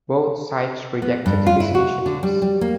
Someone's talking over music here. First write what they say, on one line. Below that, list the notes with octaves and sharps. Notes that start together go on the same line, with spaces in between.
Both sides rejected his initiatives.
B3
G2
F4
E4
F#4
D3
G3
G3
A#3